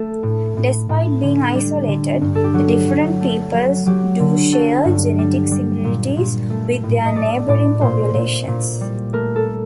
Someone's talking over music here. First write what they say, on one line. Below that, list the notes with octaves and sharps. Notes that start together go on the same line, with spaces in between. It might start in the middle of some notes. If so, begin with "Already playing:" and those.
Despite being isolated, the different peoples do share genetic similarities with their neighboring populations.
Already playing: A3 A4
A2
A2
A2
D3
G3
D3
G2
A4
G4
F#3 F#4
F#3
A3
F#3
F#3 G4
D3
F#3 A4
G2
G3
G3
A#2
A#2
A3
A2
D#5
A3 D5
A2 D5
A#2 C5
A#2
A#2
G3
A3 A#4
A4